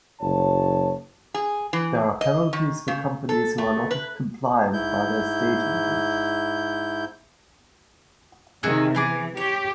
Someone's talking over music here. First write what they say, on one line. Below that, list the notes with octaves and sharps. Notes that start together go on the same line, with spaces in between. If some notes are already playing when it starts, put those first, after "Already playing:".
There are penalties for companies who are not compliant by their staging date.
F#1 F#3 C#5 A5
G#4
E3
D#5
D#3
C#3
A4
A3
B4
G#2 E4 G6
C3 D#3 F#4 G#4 E5
E3 B3 G#4 D6
G4 C#5